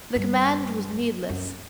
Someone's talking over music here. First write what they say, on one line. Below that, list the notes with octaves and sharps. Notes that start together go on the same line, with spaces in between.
The command was needless.
G2
F#2